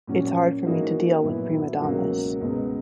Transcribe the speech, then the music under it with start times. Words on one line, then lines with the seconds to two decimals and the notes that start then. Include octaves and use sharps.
It's hard for me to deal with prima donnas.
0.07 A#2 F#3 C#4 F#4
0.65 G#2 E3 A#3 D#4 F#4
1.23 A#2 F#3 B3 E4
1.82 C#2 B2 F#3 A#3
2.40 C#2 B2 G#3 B3